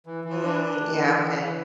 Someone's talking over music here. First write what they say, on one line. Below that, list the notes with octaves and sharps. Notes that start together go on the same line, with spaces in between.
Mm, yeah, okay.
E3
E3
D4
D4
E3
E3
E3
E3